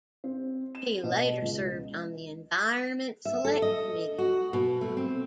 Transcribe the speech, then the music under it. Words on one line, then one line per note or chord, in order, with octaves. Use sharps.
He later served on the Environment Select Committee.
C4
E7
B2
C#2
E5
A4
D#5
F#4
B2
A3
C4